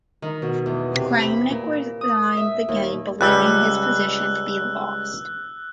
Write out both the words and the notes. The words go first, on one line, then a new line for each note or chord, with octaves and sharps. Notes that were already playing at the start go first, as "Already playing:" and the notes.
Kramnik resigned the game, believing his position to be lost.
D#3
B2
E2
C3
B5
A#2
D#6
E5
D#2
C#2 G3 E6 F#6